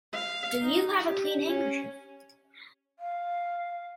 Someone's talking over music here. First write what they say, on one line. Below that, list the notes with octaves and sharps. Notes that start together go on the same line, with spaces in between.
Do you have a clean handkerchief?
F5
D#4
G4
C#4
F5